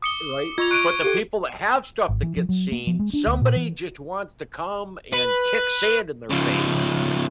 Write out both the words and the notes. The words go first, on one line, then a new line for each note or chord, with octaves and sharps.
Right, but the people that have stuff that gets seen, somebody just wants to come and kick sand in their face
D6 D#6 C#7 G7
F4 C#6 G#6 F7
C#6 F#6 D7 D#7
G4 A4
G#1
E3
F3
F#3
A#3
F3
G#3
D4
D2
A#2
E3
B4
C#3 F3